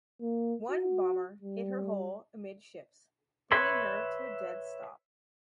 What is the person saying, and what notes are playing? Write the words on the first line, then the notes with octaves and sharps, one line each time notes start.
One bomber hit her hull amidships, bringing her to a dead stop.
A#3
F#4
G3
B4 C#5 E5 B5 C6